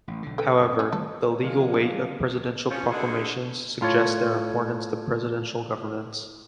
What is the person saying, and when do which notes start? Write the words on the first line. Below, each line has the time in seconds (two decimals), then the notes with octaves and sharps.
However, the legal weight of presidential proclamations suggests their importance to presidential governance.
0.08 A1
0.23 B1 D3
0.38 A4 B4 G5
0.61 F#2
0.79 G3 C#4 G#4
0.92 D#3 G3 A3 A4
1.43 D3 F3 G#3 A#3 F6
2.71 F3 C#4
2.92 D3 F#3 G#3 A3 F#4 G#4
3.81 A2 F4 A4 C#5